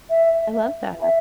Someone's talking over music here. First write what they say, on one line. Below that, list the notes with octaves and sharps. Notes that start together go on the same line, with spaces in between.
I love that.
E5
E5